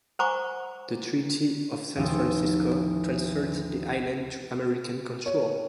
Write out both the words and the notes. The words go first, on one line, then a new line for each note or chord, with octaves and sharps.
The Treaty of San Francisco transferred the island to American control.
C5 F#5 G#5 A#5 C#6 D6
A1 D#2 F3
C#5